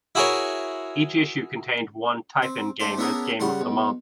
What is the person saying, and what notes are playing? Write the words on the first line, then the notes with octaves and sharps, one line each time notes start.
Each issue contained one type-in game as Game of the Month.
E4 F#4 G#4 A#4 C#5
C4
A3 C5 D5
B3 C#4 D4 E4 G#4 A#4
C#3 G3 F#5 C6
B1